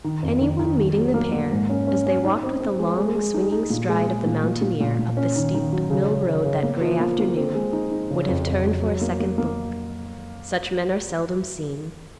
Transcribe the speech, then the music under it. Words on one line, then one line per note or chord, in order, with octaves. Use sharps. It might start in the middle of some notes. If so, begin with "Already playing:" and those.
Anyone meeting the pair, as they walked with the long swinging stride of the mountaineer up the steep mill road that gray afternoon, would have turned for a second look; such men are seldom seen.
D#3
F2
D#3
D#3
D#3
F#3
A#3
A#3
G#2
C#4
C#4
C#4
D#4
C4
C4
G#3
G#3
G#3
D#4
D#4
A#2
G#3
G#3
A#2
A#2
A#2
A#2
A#2
C#4
D#3
D#3
F#3
C#3
C#3
C#3
C#3
A#3
F3
A#3
A#3
C4
G#3
D#4
D#4
C#3
F2
F2
F#3
F#3
A#3
A#3
A#3